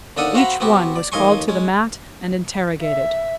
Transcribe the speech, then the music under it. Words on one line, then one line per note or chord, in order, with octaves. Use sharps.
Each one was called to the mat and interrogated.
D#2 D3 D4 A4 F#5 D#6
C4 F#4 F5 F#5 A#5 B5
B3 C4 F#4 G4
D5
A1 D#2 D#5 G#5 C6 C#6
G#3 C#4
E5